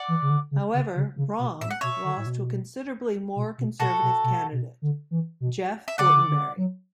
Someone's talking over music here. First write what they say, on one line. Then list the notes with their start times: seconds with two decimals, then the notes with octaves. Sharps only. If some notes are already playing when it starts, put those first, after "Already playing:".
However, Bromm lost to a considerably more conservative candidate, Jeff Fortenberry.
Already playing: D5 F#5
0.08 E3
0.22 C#3
0.30 D3
0.51 C#3
0.74 C#3
0.96 C#3
1.17 C#3
1.39 B2
1.61 A2 E5
1.71 F#5
1.81 B2 C#5 E5
2.04 D3
2.17 A2
2.26 B2
3.36 B2
3.58 B2
3.80 B2 F#4 A4
4.02 B2
4.24 B2
4.52 B2
4.82 D3
5.11 E3
5.41 B2
5.88 E5
5.98 C#3 D5 F#5
6.07 D3
6.15 C#3
6.28 D3
6.57 F#3